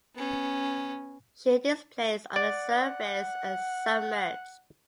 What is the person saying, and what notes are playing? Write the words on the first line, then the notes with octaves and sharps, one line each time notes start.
She displaced on the surface and submerged.
B3 C#4
D5 F#5